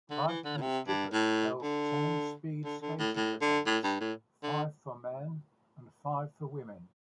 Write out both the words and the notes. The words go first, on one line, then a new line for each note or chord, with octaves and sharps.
Vikingskipet held ten speed skating events, five for men and five for women.
D3
E3
D3
A2
C3
G2
A2
D3
D3
D3
A2
A2
D3
A2
G2
A2
D3